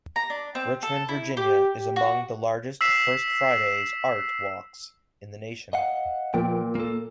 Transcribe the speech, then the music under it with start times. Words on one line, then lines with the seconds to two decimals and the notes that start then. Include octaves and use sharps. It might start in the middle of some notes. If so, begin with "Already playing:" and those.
Richmond, Virginia is among the largest First Fridays art walks in the nation.
0.16 A#5
0.30 D4
0.55 C4
0.83 A4
1.09 E4
1.37 G4
1.96 F#4
2.81 E6 B6 C7 E7
5.73 D#5 F5 F#5
6.34 A#2 F3 B4 G5
6.75 A#3 A4